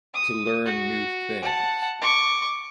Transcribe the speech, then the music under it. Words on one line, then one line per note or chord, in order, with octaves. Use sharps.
to learn new things
D#6
F#4
F#5 A5
C#6 D6